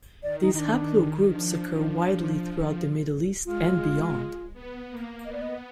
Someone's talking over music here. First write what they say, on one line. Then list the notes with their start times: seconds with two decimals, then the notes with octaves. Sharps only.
These haplogroups occur widely throughout the Middle East and beyond.
0.22 D#3 D5
0.41 D#4
0.54 D#4
0.58 D#3 D4
1.30 F3 D4
3.45 G#3 F4
4.54 B3
4.89 A#3
5.25 B3 D#5
5.33 D5
5.42 D#5